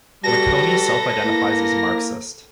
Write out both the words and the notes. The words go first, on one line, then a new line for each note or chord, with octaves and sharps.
Maconie self-identifies as a Marxist.
G3 F#4 A4 B4 A#6
A#3 E4